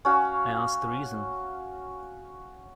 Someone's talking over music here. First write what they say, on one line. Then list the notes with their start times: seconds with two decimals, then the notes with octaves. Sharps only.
I asked the reason.
0.05 C#4 F#4 F5